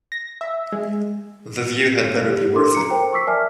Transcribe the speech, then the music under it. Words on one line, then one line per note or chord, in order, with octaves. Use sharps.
The view had better be worth it.
A#6
E5
G#3
G4
D4 A4 A#4 C6 D6
A#5 C#7
A#4 C5 G5
C#6 D6 E6 B6 C7
A#4 D5 E5 G#5 A5 F6